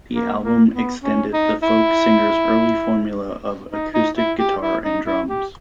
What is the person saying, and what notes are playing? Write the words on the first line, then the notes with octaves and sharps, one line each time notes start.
The album extended the folk singer's early formula of acoustic guitar and drums.
A#3
A#3
B3
C#4
D#4
E4
D#4
D#4
E4
G4
E4
D#4
E4
G4